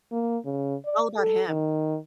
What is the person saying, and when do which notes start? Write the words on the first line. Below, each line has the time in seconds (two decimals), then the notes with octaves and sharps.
It's all about him.
0.12 A#3
0.45 C#3
0.85 D5
1.17 A4
1.49 D#3